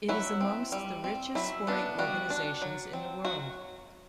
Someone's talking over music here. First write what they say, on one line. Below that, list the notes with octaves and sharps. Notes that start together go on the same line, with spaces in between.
It is amongst the richest sporting organisations in the world.
F#3 E4
C4
G3
C4
F#3 E4
B3 D4
G3 F#4
D4
F#3
C4
F#3 F#4